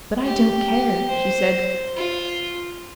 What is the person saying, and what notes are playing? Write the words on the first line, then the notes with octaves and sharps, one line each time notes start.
"But I don't care!" she said.
G4
C5
F4